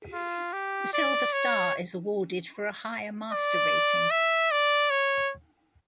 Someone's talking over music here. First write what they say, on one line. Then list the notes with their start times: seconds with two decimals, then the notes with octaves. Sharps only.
A silver star is awarded for a higher master rating.
0.13 F4
0.53 G4
0.93 D5
1.32 C#5
3.32 D5
4.11 E5
4.51 D5
4.90 C#5